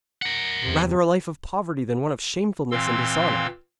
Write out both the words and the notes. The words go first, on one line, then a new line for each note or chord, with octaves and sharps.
Rather a life of poverty than one of shamefulness and dishonour.
A#4 F#5
E2 C3
A#2 E3 C4 F5 C6 E6